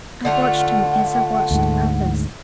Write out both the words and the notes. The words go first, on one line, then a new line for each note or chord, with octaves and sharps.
I watched him as I watched others.
D3 A3 F4 F#5
D2 G#2